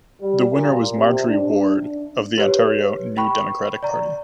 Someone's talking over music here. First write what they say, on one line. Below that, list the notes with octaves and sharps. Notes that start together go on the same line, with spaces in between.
The winner was Margery Ward of the Ontario New Democratic Party.
G3
A#2
C3
D4
G4 B4 C#5
G5 B5 C#6
D5 A#5